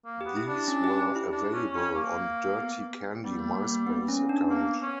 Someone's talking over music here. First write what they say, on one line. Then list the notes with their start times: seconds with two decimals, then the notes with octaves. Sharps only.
These were available on Dirty Candy Myspace account.
0.05 A#3
0.21 G4
0.25 B3
0.36 E4
0.48 D4
0.68 C#4
0.84 G4
1.01 G4
1.16 E4
1.32 D4
1.53 C#4
1.74 C#4
1.95 A#3
2.59 B3
3.24 G3 B3
3.39 A#3
3.55 A#3
3.71 A#3
3.87 B3
4.08 C#4
4.29 D4
4.50 A#3 B3
4.82 C#4